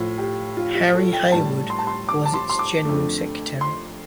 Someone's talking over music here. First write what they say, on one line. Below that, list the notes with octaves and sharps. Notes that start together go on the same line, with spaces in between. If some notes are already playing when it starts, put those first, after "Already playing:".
Harry Haywood was its General Secretary.
Already playing: A2 F3 A3 F4
G4
F4
F4
A4
G5
A2 G3 A5
C6
A5
C6
D6
A5
C6
C6
D6
F2 D3 A3
C6